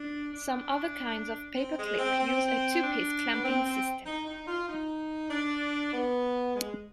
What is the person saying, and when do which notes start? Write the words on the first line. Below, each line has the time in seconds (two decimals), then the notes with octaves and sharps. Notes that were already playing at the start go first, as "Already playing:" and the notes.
Some other kinds of paper clip use a two-piece clamping system.
Already playing: D4
0.32 D4
1.57 C4
1.78 G#3
1.98 C4
2.19 C4
2.81 D4
3.34 B3
3.43 C4
3.64 C4
4.06 D#4
4.26 D#4
4.47 F4
4.68 D#4
5.30 D4
5.93 B3
6.55 G#3